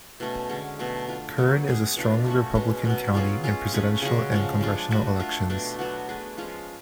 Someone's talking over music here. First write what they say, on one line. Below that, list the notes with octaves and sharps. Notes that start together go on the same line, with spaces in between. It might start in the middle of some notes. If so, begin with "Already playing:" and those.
Kern is a strongly Republican county in Presidential and congressional elections.
B2 A3 C#4
D3 G#3 C#4
B2 F#3 A3
A3 D4 F4
D3 F#3 B3
G#3 C#4 G#4
B2 A3 D4 F4
A3 C#4 F#4
B2 G#3 C#4
B2 F#3 B3
F#3 C#4 F4 G#4
G#3 C#4 F4
A3 C#4 G#4 B4
C#3 G#3 C#4 F#4
C#3 F3 G#3
F3 G#3 D4 F4
A3 D4 F#4 B4
A3 D4 F4
B2 A3 D4
F#3 B3 F#4
A3 D4 G#4 B4
F3 G#3 C#4 F4